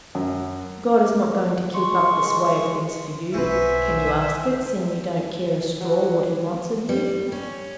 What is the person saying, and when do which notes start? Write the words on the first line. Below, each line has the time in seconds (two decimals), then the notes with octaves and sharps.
God is not going to keep up this way of things for you; can you ask it, seeing you don't care a straw what he wants of you?
0.15 F#2
1.74 G#3 C6 C#6
3.34 B1 G3 F#4 B4 C5 E5 G#5
5.81 F#3
6.89 G3
7.32 C#4